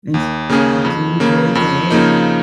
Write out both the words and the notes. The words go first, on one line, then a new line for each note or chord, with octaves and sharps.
and s I do enjoy that.
D#2
C#3 A#3 C#4 G#4
F2
C#3 A#3
F2
C#3 F3 A#3 D#4